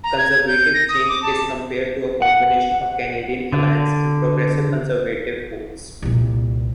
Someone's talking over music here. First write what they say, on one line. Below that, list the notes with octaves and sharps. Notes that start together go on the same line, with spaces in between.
Conservative change is compared to a combination of Canadian Alliance and Progressive Conservative votes.
A#5
G#6
G6
A#6
D#6
D6
A5
F#5
D3
C2 A#2